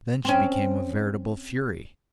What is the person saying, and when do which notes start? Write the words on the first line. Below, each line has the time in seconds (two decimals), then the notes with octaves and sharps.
Then she became a veritable fury.
0.25 C4 C#4